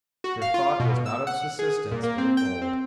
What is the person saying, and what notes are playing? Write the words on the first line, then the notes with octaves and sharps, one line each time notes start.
Their thought was not of subsistence, but of gold.
F#4
F5
F4
B2
E6
F#5
G#4
A#2
A#3
C4
G5
C4